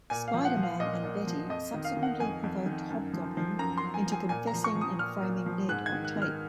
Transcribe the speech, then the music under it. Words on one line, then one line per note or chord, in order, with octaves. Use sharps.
Spider-Man and Betty subsequently provoked Hobgoblin into confessing in framing Ned on tape.
A#2 G#5
F5
F3
F#5
F3
F5
A#2 D#5
A#2
F3
F2 D#5
D#3
F5
D#3
F#5
F2 G#5
F2
D#3
F#2
F3
F3
F#2 A#5
C6
F#2
G#5
F3
G#5
A#2 G#5
A#5
F3
C#6
F3
D#6
A#2 F6
A#2
F3
G#2 F#6
G#6
D#3
F#6
D#3
F6